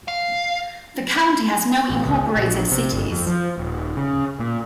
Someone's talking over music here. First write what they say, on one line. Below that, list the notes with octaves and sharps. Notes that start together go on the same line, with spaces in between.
The county has no incorporated cities.
F5
A1
C#2
A#1
C3
G1
F2
F3
D#1
C#3
A#2